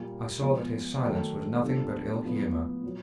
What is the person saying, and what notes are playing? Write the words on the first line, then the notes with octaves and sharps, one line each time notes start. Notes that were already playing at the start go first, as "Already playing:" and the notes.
I saw that his silence was nothing but ill-humour.
Already playing: A#2 G3 A#3
F3 G#3 B3
D#3 F#3 A3
G3 B3 D4 F4 A4
A2 F3 G#3 B3
A#2 F#3